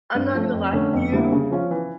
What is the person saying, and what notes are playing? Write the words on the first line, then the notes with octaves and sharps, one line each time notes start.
I'm not gonna lie to you.
G2
F3 A3
F2
D3 A3 C#4
F2
D3 G3 A#3 E4
C#3
F3 C#4 F4
E3